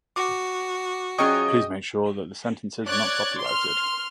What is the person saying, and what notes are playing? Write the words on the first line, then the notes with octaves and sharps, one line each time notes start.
Please make sure that the sentences are not copyrighted.
F#4 D6
F#3 C#4 F4 G#4 D#5 G5 C#6 D#6
C#5 D5 F#6 G#6 A6
C6 F6